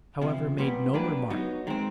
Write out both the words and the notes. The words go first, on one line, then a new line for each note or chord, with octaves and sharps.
I however made no remark.
E2 C3 F3
A#2 G3 B3
F#3 A#3 D4 G4 B4
F#3 B3 D#4
D#3 G#3 C4